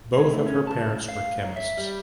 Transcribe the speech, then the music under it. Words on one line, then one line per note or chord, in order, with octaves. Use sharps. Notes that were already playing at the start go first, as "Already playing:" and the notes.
Both of her parents were chemists.
G#3
A3
C#4
A5
F5
F#3
E5
G3